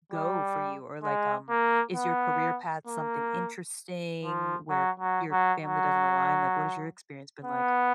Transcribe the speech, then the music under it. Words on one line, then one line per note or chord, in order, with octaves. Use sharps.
go for you? Or, like, um, is your career path something interesting where p your family doesn't align? Like, what has your experience been like?
G3
G#3
A#3
B3
A#3
F3
F#3
F#3
F#3
F#3
B3